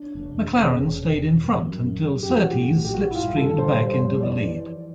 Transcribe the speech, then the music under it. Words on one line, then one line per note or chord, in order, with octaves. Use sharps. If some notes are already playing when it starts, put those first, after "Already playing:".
McLaren stayed in front until Surtees slipstreamed back into the lead.
Already playing: D4
F1
F1
C#3
E1
E1
E1
F#2
F#2
F#2
F#2
G4
F3 F#4
A2 G4
A#1
G4
A#1 F#4
E4
G2 F4
D3 A4
G2 C5
G3 C5
F2 C#5
E3 D5